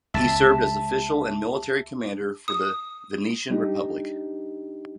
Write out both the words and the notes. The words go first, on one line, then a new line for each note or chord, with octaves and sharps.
He served as official and military commander for the Venetian Republic.
C#2 C#3 E5 A5
D#6
G3 D4 D#4 G4